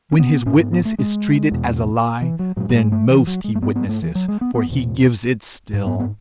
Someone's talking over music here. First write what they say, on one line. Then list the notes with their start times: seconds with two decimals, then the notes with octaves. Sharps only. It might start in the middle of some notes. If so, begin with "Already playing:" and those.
When his witness is treated as a lie, then most he witnesses, for he gives it still.
0.12 C#4
0.19 B3
0.46 G#2 C#4
0.59 B3
0.72 B3
0.85 A3
0.99 G#3
1.51 E2 B2
2.22 E3
2.39 F#3
2.57 G#2 F#3
2.70 F#3
2.75 G#3
2.92 A3
3.10 E3
3.27 F#3
3.44 G#3
3.55 A3
3.62 G#2 B3
3.76 B3
3.89 A3
4.02 E3
4.15 F#3
4.28 G#3
4.41 B3
4.55 B3
4.68 E2 B2
5.73 G#2
5.86 B3
5.99 B3